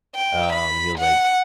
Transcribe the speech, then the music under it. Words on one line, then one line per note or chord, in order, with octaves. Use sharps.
um, he was, like
G5
B5
F#5